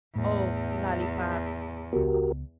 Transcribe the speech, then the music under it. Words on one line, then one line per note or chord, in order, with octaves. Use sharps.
Oh, lollypops!
E2 A2
C#2 B3 F#4 G4 A#4